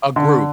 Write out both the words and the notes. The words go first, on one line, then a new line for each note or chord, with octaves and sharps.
A group,
D3